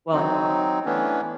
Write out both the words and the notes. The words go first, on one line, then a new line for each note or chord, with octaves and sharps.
while I walk.
F#3 C4 D#4
E3 A3 B3 C#4 D4